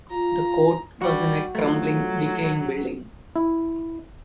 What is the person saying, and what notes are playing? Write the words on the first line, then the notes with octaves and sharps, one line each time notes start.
The court was in a crumbling, decaying building.
F4 A#5
G3 F#4
F3 F#3 A3
E4